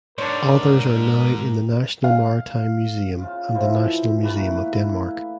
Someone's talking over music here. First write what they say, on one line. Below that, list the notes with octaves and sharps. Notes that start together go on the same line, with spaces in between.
Others are now in the National Maritime Museum and the National Museum of Denmark.
G#2 D4 A#4 C5 C#5
F5
C#3 F4 F5
E3 F3 C4 E4
E3 A3 A#3 B4
E4